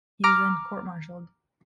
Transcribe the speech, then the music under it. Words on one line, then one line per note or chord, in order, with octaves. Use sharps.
He is then court-martialed.
A#5 D6 F6